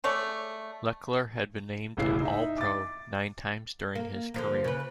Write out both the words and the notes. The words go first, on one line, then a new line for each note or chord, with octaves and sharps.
Lechler has been named an All-Pro nine times during his career.
G#3 A3 C#5 D5
E1 A1 C#3 E4 C7
D#4 E5
D6 A6
A#3
D3 F3 A#3
C#3 B4